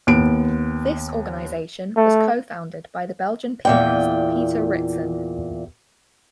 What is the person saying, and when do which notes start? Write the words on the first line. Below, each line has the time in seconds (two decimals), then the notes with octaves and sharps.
This organisation was co-founded by the Belgian pianist Peter Ritzen.
0.07 D#2 B3 D7
1.96 A3
3.65 E2 A#2 G5